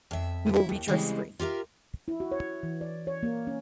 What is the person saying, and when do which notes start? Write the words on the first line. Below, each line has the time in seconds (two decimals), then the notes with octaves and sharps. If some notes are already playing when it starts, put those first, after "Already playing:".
We will reach our spring.
0.11 F2 E5
0.56 E4
0.69 D#2
0.88 C#3 E3 G3 G#3 C4
1.39 F4 G4 A#4 E5
2.08 E4
2.20 F#4
2.32 C#5
2.63 E3
2.81 D5
3.07 C#5
3.23 A#3
3.47 C#4